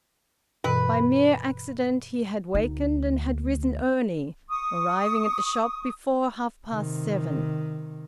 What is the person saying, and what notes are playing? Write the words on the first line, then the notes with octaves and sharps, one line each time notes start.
By mere accident he had wakened and had risen early, arriving at the shop before half-past seven.
G2 B2 E3 B4
D2 D#4
C#6 D#6
C3 D#3